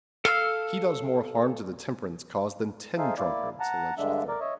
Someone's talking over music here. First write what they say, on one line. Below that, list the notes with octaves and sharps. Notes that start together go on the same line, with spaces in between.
"He does more harm to the temperance cause than ten drunkards," alleged a third.
A4 F5 E6
D#4 G#4 A4 C5 E5 F5
A#3 E4 D5
F#5 A5 A#5
G2 D3 G#3 D4 E5
A#4 D5
C#5 D#5 E5